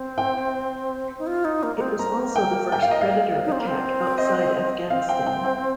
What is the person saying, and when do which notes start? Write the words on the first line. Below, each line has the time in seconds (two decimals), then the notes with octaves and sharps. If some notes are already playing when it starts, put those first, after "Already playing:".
It was also the first Predator attack outside Afghanistan.
Already playing: C4
0.18 G5
1.19 D#4
1.27 F4
1.45 D#4
1.63 A#3
1.76 A#3
1.81 C4
1.99 A#3 A#5
2.36 G5
2.72 G5
2.82 F5
2.91 D#5
3.01 F5
3.45 D#4
3.52 C4
3.60 A#3
3.67 C4
4.18 D#5
4.90 C4 F5
5.09 G5
5.26 G5
5.45 G5